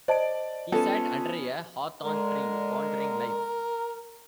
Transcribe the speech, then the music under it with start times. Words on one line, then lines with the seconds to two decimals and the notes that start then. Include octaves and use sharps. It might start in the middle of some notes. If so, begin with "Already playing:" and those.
He sat under a hawthorn tree, pondering life.
0.08 C5 D5 D#5 A5 D7
0.72 B3 C#4 F4 A4
2.04 A#2 D3 G#3 A#4